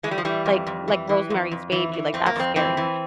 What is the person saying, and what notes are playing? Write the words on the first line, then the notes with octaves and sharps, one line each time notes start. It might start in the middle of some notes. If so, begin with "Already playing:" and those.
like like, Rosemary's Baby, like, that's scary,
E3 G#3
G3
F3
E3 G3
F2
F2
E3
E3
F2
F2
E3
E3
F2 C4
A#3
F2 C4
E3 C4
E3